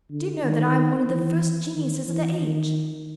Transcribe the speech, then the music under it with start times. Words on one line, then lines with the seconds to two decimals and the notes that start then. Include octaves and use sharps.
Do you know that I am one of the first geniuses of the age?
0.11 D3
0.44 D#3
1.09 E3
1.75 D#3
2.08 E3
2.41 D#3